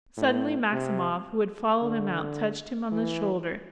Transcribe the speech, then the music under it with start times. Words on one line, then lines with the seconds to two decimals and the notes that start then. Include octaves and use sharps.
Suddenly Maximov, who had followed him out, touched him on the shoulder.
0.17 A2
0.72 C3
1.82 D3
2.92 E3